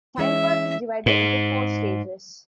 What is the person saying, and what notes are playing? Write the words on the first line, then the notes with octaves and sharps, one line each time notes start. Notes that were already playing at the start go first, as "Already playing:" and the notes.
Childbirth is divided into four stages.
E3 G#3 C#4 E5
G#2